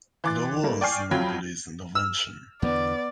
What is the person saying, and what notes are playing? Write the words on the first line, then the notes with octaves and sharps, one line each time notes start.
There was no police intervention.
E3 C6 D6 F#6 A6
G3 A3 A#3
D5 G5 G#5 C#6 F6 C7
F2 F#3 F4 G5 B5 G#6
E6 F6
E2 D3 E3 B3 D5